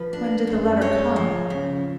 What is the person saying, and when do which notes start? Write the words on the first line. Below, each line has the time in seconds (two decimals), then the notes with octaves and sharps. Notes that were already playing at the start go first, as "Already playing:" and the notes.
When did the letter come?'
Already playing: F3 B4
0.13 D4
0.47 F#2
0.81 G#3 C#5
1.16 F3
1.50 C#3